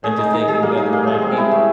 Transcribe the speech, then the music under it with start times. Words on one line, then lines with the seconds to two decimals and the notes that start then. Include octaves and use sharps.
into thinking that they're bad people.
0.04 A3 G#4
0.18 G#3 D#4
0.33 G#3 D#4
0.48 G3 G#4
0.63 G3 A#3
0.77 D#4
0.83 A3
0.93 A#3
1.03 A3 G#4
1.14 G#3
1.22 G3 C4
1.37 G#3 E4
1.51 A3